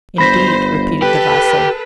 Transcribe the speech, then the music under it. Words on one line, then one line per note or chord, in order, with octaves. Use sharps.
"Indeed;" repeated the vassal.
G1 C5 B5 A#6 B6
G4 A4 B4